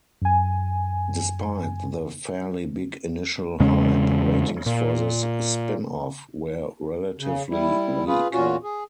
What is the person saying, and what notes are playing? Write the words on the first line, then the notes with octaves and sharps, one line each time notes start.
Despite the fairly big initial hype, ratings for this spin-off were relatively weak.
F#2 G#5
E2 C#3 G#3 C#4
A#2
C#3
G3 E4
F4 G#4 B4
E2 A#2 C#4 F4 F#4
G#4